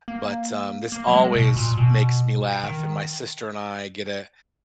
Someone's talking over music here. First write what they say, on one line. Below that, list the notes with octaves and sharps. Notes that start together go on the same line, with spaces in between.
but, um, this always makes me laugh, and my sister and I get a
A#3
A#3
F#3
G#3
B2
A#2
B2
D#3